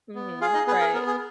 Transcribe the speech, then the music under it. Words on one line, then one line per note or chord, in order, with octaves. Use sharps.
Mhm, right.
B3
F4 G#4 F5
D#4 D#5
B3 G#4 B4
A#4
B3 A#4
G#4